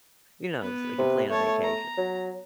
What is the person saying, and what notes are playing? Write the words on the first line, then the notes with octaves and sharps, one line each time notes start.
you know, so they can plan a vacation,
B3 B4
C3
A3 C#5 A5
A#5
F#3